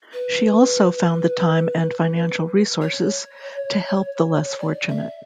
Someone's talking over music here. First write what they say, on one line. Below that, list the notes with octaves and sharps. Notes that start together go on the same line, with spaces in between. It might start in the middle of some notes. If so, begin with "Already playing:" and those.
She also found the time and financial resources to help the less fortunate.
B4
C#5
C#5
D5
E5